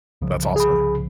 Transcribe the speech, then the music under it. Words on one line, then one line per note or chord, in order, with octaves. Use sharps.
That's awesome.
C2 C#3 F3
G#4 B5